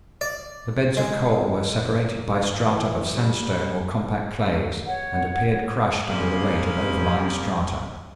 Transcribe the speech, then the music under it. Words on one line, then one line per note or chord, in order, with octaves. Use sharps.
The beds of coal were separated by strata of sandstone or compact clays, and appeared crushed under the weight of overlying strata.
D5
G#3
E3
G3
C#5 F#5
C3 G3 A#3 G4 G#4